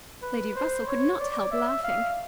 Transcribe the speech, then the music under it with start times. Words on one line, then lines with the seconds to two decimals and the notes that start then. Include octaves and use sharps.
Lady Russell could not help laughing.
0.23 B4
0.56 C5
0.87 C#5
1.19 D5
1.51 E5
1.84 F5